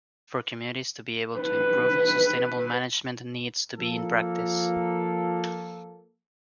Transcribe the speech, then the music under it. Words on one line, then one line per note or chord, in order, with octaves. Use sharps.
For communities to be able to improve, sustainable management needs to be in practice.
B4
F3 A#3 A4